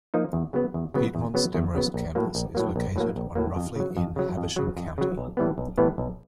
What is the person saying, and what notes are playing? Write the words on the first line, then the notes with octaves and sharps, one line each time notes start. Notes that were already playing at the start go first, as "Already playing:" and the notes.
Piedmont's Demorest campus is located on roughly in Habersham County.
F3 A#3 D#4
E2
C#3 F#3 B3
E2
C#3 F#3 B3
E2
C#3 F#3 B3
E2
C#3 F#3 B3
A#1
A2 F#3 A#3
A#1
A2 F#3 A#3
A#1
A2 F#3 A#3
A#1
A2 F#3 A#3
F2
C#3 F#3
F2
C#3 F#3
F2
C#3 F#3
F2
C#3 F#3
B1
A2 E3 G3 B3
B1
A2 E3 G3 B3
B1